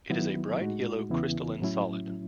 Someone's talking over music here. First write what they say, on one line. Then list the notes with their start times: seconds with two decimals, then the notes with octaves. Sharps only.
It is a bright yellow crystalline solid.
0.10 D#3 F#3 B3 E4
0.60 A2 G#3 D#4 F#4
1.10 E2 C#3 E3 B3 E4
1.60 A2 F#3 C#4 E4